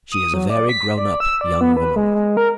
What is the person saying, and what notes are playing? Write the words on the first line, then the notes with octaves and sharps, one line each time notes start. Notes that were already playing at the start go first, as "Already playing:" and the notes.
She is a very grown-up young woman.
D#6
F#3
D5
B6
D5
E6
D5
B3
B4
G#3
G#3
A#4